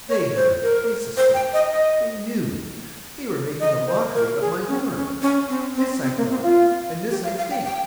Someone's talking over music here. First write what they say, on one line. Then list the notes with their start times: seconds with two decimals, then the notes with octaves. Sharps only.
They heard!--they suspected!--they knew!--they were making a mockery of my horror!-this I thought, and this I think.
0.09 C#5
0.36 C5
0.63 A#4
1.17 C5
1.34 G5
1.53 D#5
1.71 D#5
3.60 D#5
3.86 C5
4.14 A#4
4.40 G#4
4.68 C#4
4.95 C#4
5.22 C#4
5.49 C4
5.76 C4
6.03 C4
6.17 A#3
6.30 C4
6.43 F4
7.10 G4
7.24 F5
7.38 F5
7.51 G5
7.65 G5